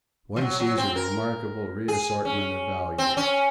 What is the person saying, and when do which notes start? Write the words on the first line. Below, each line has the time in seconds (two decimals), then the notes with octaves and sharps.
One sees a remarkable reassortment of values.
0.36 F3
0.41 F#3
0.59 F#3
0.78 C4
0.96 A#4
1.88 G#4
2.25 C#4
2.98 C4
3.17 C#4